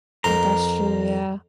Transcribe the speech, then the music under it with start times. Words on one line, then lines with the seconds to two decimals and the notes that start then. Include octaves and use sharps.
That's true, yeah.
0.24 F2 A#4 A#5 C6